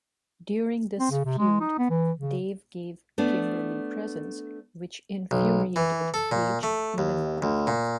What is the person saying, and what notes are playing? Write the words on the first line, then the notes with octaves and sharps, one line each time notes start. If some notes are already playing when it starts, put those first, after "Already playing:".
During this feud, Dave gave Kimberly presents, which infuriated Page even more.
C4
C#3
C3
G#3
D#4
B3
E3
C#3
A3 B3 D4
B1
E3
A4
A#2
A3
D#2
D2
A#2